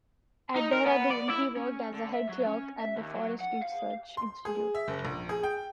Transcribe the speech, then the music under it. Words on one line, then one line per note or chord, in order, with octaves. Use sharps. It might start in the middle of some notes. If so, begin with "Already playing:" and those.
At Dehradun he worked as a head clerk at the Forest Research Institute.
D#4
A#4
B3
D5
E4
C#4
D3
E5
F#3
C#4
E5
D#2
F#3
F#5
F5
C6
G#4
E5
F#1
A#1
G#4
G5